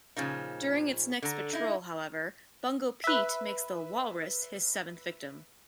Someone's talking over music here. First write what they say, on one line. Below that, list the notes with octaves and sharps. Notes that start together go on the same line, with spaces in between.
During its next patrol, however, Bungo Pete makes the "Walrus" his seventh victim.
A#2 C#3 F3 D#4
D3 A#5
D#4 E4
B4 E5